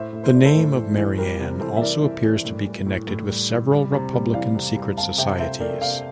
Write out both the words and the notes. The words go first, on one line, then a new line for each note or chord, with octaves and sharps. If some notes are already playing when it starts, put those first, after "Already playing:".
The name of Marianne also appears to be connected with several republican secret societies.
Already playing: A2 C5 E5
A2
C5
A2 D5
A4 C5
A2
E3
E3
G3 G4 A#4
C3
E3 A4 C5
E5
E3 A#4 D5
E3
E3
A2
G3
A2
A2
G3
E3
G3
C3
G3
E3 D5 F5
C3
G3
C3 F5 A5
C3 E5 G5
A3 C5 E5
A3 A#4 D5
C3 D5 F5